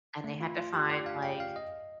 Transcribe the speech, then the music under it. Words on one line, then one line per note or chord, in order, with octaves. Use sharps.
and they had to find, like,
A3
F4
F4
G4
D5
F5
G5
F5
D#5